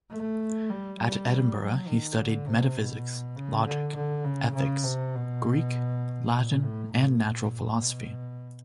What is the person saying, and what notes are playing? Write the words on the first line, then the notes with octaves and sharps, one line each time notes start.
At Edinburgh he studied metaphysics, Logic, Ethics, Greek, Latin and Natural Philosophy.
A3
G3
G3
F#3
D#3
D3
C3
B2
C#3
D3
D3
C#3
C#3
C3
B2
A#2
A2
A2
A#2
B2